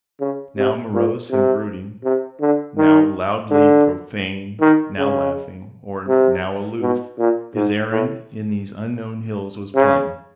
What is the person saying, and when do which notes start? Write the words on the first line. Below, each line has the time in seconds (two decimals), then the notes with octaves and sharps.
Now morose and brooding, now loudly profane, now laughing or now aloof, his errand in these unknown hills was plain.
0.20 C#3
0.57 C3
0.94 A#2
1.31 C3
2.04 C3
2.41 D3
2.77 D#3
3.51 D3
4.61 D#3
4.98 C#3
6.08 C3
6.81 B2
7.18 A#2
7.55 G#2
7.91 A2
9.75 C#3